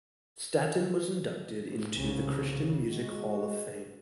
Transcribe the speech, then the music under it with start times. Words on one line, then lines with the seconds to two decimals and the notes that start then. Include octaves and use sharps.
Staton was inducted into the Christian Music Hall of Fame.
1.93 C2 G2 C#3
2.89 G#3 F#4